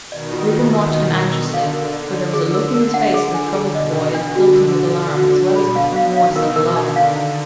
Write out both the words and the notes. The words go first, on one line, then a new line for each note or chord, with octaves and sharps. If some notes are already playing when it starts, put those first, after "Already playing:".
Reuben watched him anxiously, for there was a look in his face that troubled the boy and filled him with alarm, as well as with remorse and love.
B2 D#3 D5
F4
F4
B2 D#3 A#4
D#5
A#4
D3 A#4
F5
A#4
D5
D5
G#4
A#4
A#4
F#5
G#4
G#5
G#4
B2 D#5
D#5
B2
D4
D3 F#4
A#4
F#4
B4
F#4
F#4
B2 B5
F5
F5
B2 D#3 F5
A#4
A#4
D3 D#4
F5
A#5